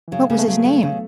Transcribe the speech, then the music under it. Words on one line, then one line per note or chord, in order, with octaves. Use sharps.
"What was his name?"
E3
C#3 F#3
A3
C#3 B3
A3
C#3 F#3
A3
C#3